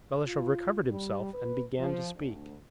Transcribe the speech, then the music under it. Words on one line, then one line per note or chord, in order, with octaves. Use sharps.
Balashev recovered himself and began to speak.
F4
G3
B4
F3
D2